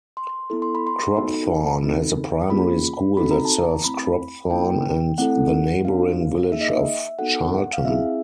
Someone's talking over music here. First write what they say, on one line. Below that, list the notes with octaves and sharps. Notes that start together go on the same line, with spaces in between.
Cropthorne has a primary school that serves Cropthorne and the neighbouring village of Charlton.
C6
B3 E4 A4
C6
B5
C6
B3 D#4 F#4 A4 B5
C4 D#4 F#4 A4
A#3 C#4 F4 G#4 B5
C4 D#4 F#4 A4 B5
A#5
A5
A#5
A3 C4 E4 B5
A#3 C#4 E4 G5
A3 C4 E4 A4 F#5
B3 D4 F#4 F5
A#3 D#4 G#4 E5
D#5
E5
B3 D#4 F#4 A4 F#5
F5
C4 E4 G#4 E5